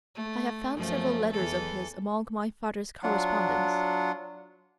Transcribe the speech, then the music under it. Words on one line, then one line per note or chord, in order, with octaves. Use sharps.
I have found several letters of his among my father's correspondence.
A3
F#2 F3 A3
E2 E3 A4
F#3 D4 F4 F#5